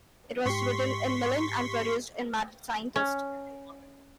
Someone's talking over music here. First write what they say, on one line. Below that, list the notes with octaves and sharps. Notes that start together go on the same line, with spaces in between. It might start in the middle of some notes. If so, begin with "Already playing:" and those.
It was written by Milian and produced by Madd Scientist.
G#2 G4 C6 C#6 B6
C#4